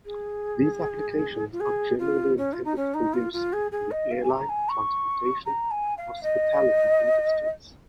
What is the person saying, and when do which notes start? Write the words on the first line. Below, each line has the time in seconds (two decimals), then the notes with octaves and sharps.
These applications are generally intended for use in the airline, transportation, and hospitality industries.
0.05 G#4
1.52 F4
1.60 G#4
1.99 F4
2.37 C#4
2.53 F4
2.64 D#4
2.76 C#4
2.94 D#4
3.13 F4
3.33 F4
3.53 G#4
3.71 G#4
3.91 D#5
4.11 F5
4.23 G#5
4.30 A#5
4.49 G#5
4.69 C#6
5.45 A#5
5.71 G#5
5.97 F5
6.23 D#5